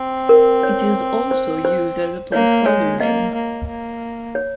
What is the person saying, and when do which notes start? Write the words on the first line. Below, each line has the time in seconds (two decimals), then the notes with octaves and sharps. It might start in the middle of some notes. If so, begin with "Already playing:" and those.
It is also used as a placeholder name.
Already playing: C4
0.29 A#4
0.63 C#5
1.31 C5
1.65 C5
2.32 A#3 C#5
2.66 G#3 C#5
3.00 A#3 D#5
3.34 A#3
3.68 A#3
4.35 C#5